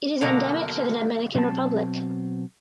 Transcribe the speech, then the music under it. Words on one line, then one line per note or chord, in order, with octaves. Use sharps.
It is endemic to the Dominican Republic.
B2 D3 F#3 A#3
B2 F#3 C4 A#4 A5